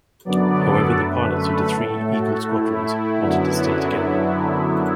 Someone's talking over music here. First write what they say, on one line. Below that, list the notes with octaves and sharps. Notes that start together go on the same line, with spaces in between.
However, the pilots of the three Eagle Squadrons wanted to stay together.
F#2 D3 F#3 B3 D5
A4
F#2 D3 A3 B4
A4
A2 A3
F#4
A2 A3 E4
F#2 D3 F#3 B3 E4